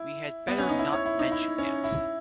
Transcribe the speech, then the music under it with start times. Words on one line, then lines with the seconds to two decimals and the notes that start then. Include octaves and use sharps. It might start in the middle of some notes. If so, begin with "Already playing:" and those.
We had better not mention it.
Already playing: E4
0.48 B3
0.58 C#4
0.69 D#4
0.79 E4
0.93 C#5
1.06 E4
1.19 D#4
1.32 E4
1.58 C#4
1.84 E4